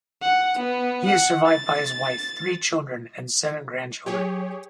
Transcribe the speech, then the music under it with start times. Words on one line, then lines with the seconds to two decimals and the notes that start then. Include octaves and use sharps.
He is survived by his wife, three children, and seven grandchildren.
0.21 F#5
0.58 B3
1.05 F#5
1.46 A6
4.06 F#3 G4 G#4 C#5